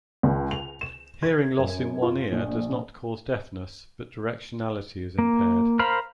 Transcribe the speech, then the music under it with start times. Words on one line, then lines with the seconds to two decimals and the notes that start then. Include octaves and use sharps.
Hearing loss in one ear does not cause deafness but directionality is impaired.
0.23 C#2
0.51 F7
0.81 E7
1.23 G#6
1.59 F#2
2.02 F4
2.32 A#1
5.19 A#3
5.79 A#4 C5 F5 A#5 B5